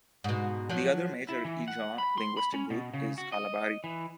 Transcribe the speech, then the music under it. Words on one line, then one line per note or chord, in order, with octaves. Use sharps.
The other major Ijaw linguistic group is Kalabari.
G#2 B2
F3 F#3
E4
E3
F#5
B5
C6
B5
C#4
B2
C#3
F#4
D#5
E3